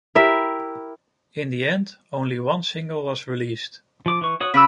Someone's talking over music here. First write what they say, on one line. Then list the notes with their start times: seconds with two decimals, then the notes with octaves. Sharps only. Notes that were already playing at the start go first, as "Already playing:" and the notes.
In the end, only one single was released.
0.15 E4 G4 A#4 E5
4.06 F3 D6
4.21 E3 C#6
4.41 F#4 C#5 D#6
4.54 C#3 F#4 B5 D6 E6